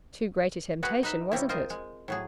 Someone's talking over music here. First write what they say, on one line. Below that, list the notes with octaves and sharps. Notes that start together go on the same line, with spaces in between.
Too great a temptation, wasn't it?
F#4 G#4 B4 G5
D#4 B4 E5
C#3 G3 C4 E4
F4 A#4 C5 D#5
G#3
A2 F#3 G#4